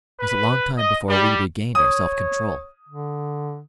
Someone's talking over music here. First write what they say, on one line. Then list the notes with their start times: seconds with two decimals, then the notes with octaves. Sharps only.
It was a long time before we regained our self-control.
0.20 B4
0.77 D#5
1.09 G3
1.75 C#5 D#6
2.89 D3